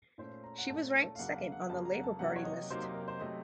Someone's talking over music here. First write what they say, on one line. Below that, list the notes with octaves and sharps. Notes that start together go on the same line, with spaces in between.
She was ranked second on the Labour Party list.
A#2 A3 C#4 C5
A#5
F#5
A#2 A3 C#4 A5
A5
F5
F2 C#3 F#3 A#3 F#5
F5
F#5
F2 C#3 F#3 A#3 A5
A#5
F#5
A5
C3 F#3 A#3 D#4 F#5
C#5
D#5
C3 F#3 A#3 D#4 C5
D#5
A#4
C5
C3 F#3 A3 D#5